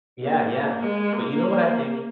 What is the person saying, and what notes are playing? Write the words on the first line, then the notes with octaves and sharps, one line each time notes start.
Yeah, yeah. But you know what I think?
A#3
A#3
G#3
A#3